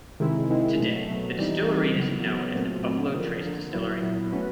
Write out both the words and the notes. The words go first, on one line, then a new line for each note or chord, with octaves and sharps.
Today the distillery is known as the Buffalo Trace Distillery.
C3 D#3 G#3 C4 E4
C3 D#3 G#3 C4 E4
B2 F#3 A3
B2 F#3 A3
E3 G3 C4 D#4
E3 G3 C4 D#4
C#3 F#3 B3
C#3 F#3 B3
A#2 F#3 A3 C4
A#2 F#3 A3 C4
D3 F3 A#3
D3 F3 A#3
A#2 F#3 B3 E4
A#2 F#3 B3 E4
A3 C#4 F#4 B4